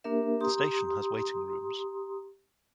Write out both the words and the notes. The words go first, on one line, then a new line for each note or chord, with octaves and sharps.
The station has waiting rooms.
A#3 D4 G4 A#4 E5
G4 A#5 C6 D#6